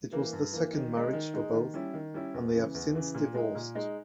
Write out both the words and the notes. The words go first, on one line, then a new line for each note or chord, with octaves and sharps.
It was the second marriage for both, and they have since divorced.
E3 A#3
G2
E3 A#3
D#3
G#3 D#4
D#3
G#3 D#4
D#3
G3 C#4 E4
D#3
G3 C#4 E4
E2
C#3 E3
E2
C#3 E3
A#2
G#3 D#4
A#2
G#3 D#4